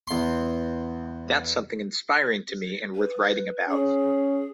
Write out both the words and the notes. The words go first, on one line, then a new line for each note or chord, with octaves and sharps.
That’s something inspiring to me and worth writing about.
E2 C6
B4
C#4 G#4